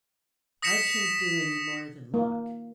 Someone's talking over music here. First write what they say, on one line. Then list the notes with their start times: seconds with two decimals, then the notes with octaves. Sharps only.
"I can't do any more than look."
0.62 D#6 A#6 B6 C#7 E7
2.14 A#3